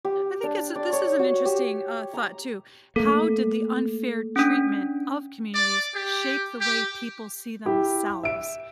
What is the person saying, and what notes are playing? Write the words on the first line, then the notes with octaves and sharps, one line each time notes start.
I think it's a this is an interesting, uh, thought, too- how did the unfair treatment of communities shape the way people see themselves?
G4
D4
D5
C#5
F#4
G4
A#5
A3 A#3 A4
C#4 D4
D5
G4
G4
E4 G4
E5 D7